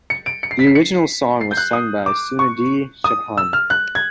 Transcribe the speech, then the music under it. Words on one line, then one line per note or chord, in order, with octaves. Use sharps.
The original song was sung by Sunidhi Chauhan.
C#7
D7
C#7
C7
B6
C7
C#7
C7
G6
F#6
D#6
D6
C#6
D#6
E6
F6
F#6
G#6